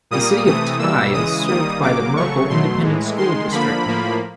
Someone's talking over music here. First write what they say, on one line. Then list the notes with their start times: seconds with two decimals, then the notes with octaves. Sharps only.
The City of Tye is served by the Merkel Independent School District.
0.11 A#2 G3 A#3 D#6
0.45 C3 E3 A3 D#6
0.79 B2 G3 A#3 E6
1.13 C#3 E3 G#3 D#6
1.47 D#3 G3 A#3 D#6
1.82 C#3 F#3 A#3 D6
2.16 C#3 F#3 A3 C#6
2.50 B2 F#3 A3 C6
2.83 A2 E3 G#3
3.18 D#3 G#3 C6
3.52 D3 F3 A#3 B5
3.86 A2 F3 A#3